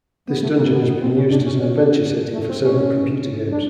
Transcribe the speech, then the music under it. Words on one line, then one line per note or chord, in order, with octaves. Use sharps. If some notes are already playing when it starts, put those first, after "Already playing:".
This dungeon has been used as an adventure setting for several computer games.
B3
A3
A#3
B3
B3
C4
C#4
D4
C#4
C#4
D4
A3
C4
C#4
D4